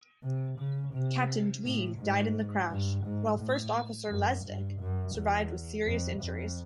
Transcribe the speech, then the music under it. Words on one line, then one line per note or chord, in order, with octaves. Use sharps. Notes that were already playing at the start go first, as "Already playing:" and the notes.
Captain Dwi died in the crash while First Officer Lesdek survived with serious injuries.
C3
C#3
C3
A2
G#2
G2
G#2
A2
F#2
G2
F#2
E2
F2
F2